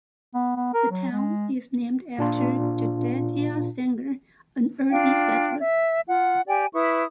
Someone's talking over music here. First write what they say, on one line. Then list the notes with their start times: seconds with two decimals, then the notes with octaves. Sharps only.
The town is named after Jedediah Sanger, an early settler.
0.34 B3
0.56 B3
0.74 A#4
0.91 F#3
1.12 G#3
2.18 A#2 D4 F4
4.90 D4 F4 F5 G5
5.58 E5
6.07 F4 F#5
6.47 G4 D5 G5 G#5
6.73 E4 B4 C#6 D#6